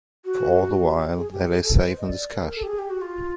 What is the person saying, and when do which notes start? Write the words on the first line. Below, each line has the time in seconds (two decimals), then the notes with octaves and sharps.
For all the while they lay safe in this cache.
0.25 F#4
1.17 G#4
1.32 G4
1.48 G#4
1.63 A4
1.74 B4
1.86 C5
1.98 D#5
2.09 D5
2.32 A#4
2.55 A4
2.63 G4
2.67 G#4
2.78 G4
2.90 F#4
3.01 F4